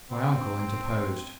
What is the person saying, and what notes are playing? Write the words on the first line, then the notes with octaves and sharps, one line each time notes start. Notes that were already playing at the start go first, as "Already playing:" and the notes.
My uncle interposed.
C4